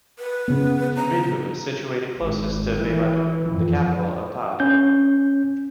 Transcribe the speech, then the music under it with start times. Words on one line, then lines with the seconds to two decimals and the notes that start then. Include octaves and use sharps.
Kinbidhoo is situated closest to Veymadoo, the capital of Tha Atoll.
0.19 B4
0.48 C#3 B3
0.97 A#5
2.18 G#1
2.78 E3
3.49 F2
4.60 C#4 G6